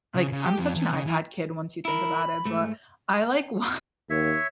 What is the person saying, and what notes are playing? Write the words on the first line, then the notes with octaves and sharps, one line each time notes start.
like, I'm such an iPad kid once you think about it, but I like wa
C#3
C#3
G4
F2
E2
C#3
E3
E4 A#4 B5
G#2 A3
D#2 C#5 E5